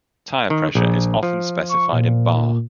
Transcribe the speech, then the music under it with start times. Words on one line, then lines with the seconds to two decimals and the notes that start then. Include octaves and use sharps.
Tire pressure is often specified in bar.
0.50 D#3
0.75 A#1
1.23 F3
1.69 C#6
1.92 A#2